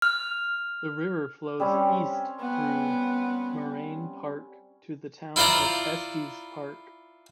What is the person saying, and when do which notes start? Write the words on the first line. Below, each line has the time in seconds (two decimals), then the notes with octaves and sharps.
The river flows east through Moraine Park to the town of Estes Park.
0.02 F6
1.60 G3 C4 C#4
2.41 B3
5.36 E4 F4 C5 D5 A#5